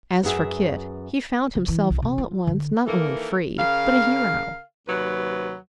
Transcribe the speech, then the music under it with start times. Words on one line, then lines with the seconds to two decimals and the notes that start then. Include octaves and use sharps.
As for Kit, he found himself all at once not only free, but a hero.
0.23 F#2 B3 G#4 E5
1.55 C#3
1.68 E3
1.90 C2
2.02 C3
2.18 F4
2.47 D3
2.87 D#3 E3 A#3 A4 A#4
3.58 C#3 A#4 F5
4.87 D#2 C3 F#3 B4